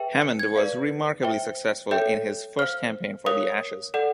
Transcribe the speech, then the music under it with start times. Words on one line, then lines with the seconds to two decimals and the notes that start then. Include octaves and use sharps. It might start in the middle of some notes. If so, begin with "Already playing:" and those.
Hammond was remarkably successful in his first campaign for The Ashes.
Already playing: G#4 B4 E5 G5
0.22 C#7
0.39 G#6
0.56 G#4 B4 D5 F5
1.23 C5 E5 G5
1.91 A4 C#5 E5 G5 G6
2.59 C5 F5 F6
3.26 A#4 C#5 F5 D#6
3.94 A4 D5 F#5